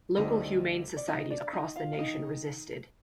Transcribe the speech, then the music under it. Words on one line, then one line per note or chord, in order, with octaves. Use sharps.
Local humane societies across the nation resisted.
D2 D3 G3 C4 D#4 D#5
D5
D#4 D#5
D4 D5
D#4 D#5
F4 F5
F5
D#3 D#4 D#5